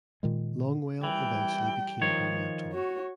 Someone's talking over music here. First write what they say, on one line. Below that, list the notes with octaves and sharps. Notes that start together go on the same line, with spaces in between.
Longwell eventually became her mentor.
A#2 D#3 G#3
E3 G3 G5
D#3 F3 C#5
F#4 C#5